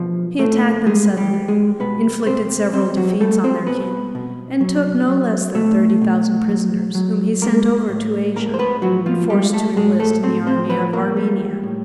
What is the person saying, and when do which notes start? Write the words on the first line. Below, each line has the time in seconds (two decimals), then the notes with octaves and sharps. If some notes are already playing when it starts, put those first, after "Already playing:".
He attacked them suddenly, inflicted several defeats on their king, and took no less than thirty thousand prisoners, whom he sent over to Asia, and forced to enlist in the army of Armenia.
Already playing: B2 F3
0.39 B2 A3 A4
0.86 G3 G#3 G#4
1.17 G3 G4
1.33 G3
1.48 G#3 G#4
1.80 B2 B3 B4
2.26 B2 C4 C5
2.73 G3 C4 C5
2.97 F#3 F#4
3.20 G3 A3 A4
3.44 C4 C5
3.67 B2 B3 B4
4.15 B2
4.61 F#3
5.08 F#3
5.54 B2 A3 A4
6.02 B2
6.48 F#3
6.95 F#3
7.42 G#3 A#3 A#4
7.89 A2
8.36 A2 A#3 A#4
8.54 C5
8.59 B3 B4
8.82 F3 F#3 F#4
9.06 F3 F4
9.29 G3 G#3 G4
9.53 A3 A4
9.76 A2 G#3 G#4
9.99 A3 A4
10.23 A2 C4 C5
10.47 C4 C5
10.70 F3 B3 B4
10.93 A#3 A#4
11.17 G3
11.63 A2